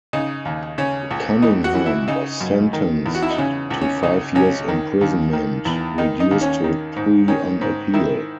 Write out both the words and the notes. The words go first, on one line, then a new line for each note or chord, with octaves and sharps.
Cunningham was sentenced to five years imprisonment, reduced to three on appeal.
C#3 D#4
D#2
C#3 C#4
C#2
E3 D#4
F#4
E3
E4
C#3 D#4
F#2
D#3
E2
F#4
E4
D#4
C#3 C#4
C#2
C#4
C#3 D#4
C#2 C#4
D#3
D#2
D#3
E2
D#3 D#4
D#4
D#2
C#4
D#3
G#2
D#3 C#4
G#2
D#3 E4